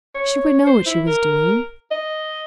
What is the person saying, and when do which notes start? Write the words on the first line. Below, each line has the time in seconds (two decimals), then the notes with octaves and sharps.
She would know what she was doing.
0.14 C#5
0.67 C5
0.86 E4
1.07 A#4
1.91 D#5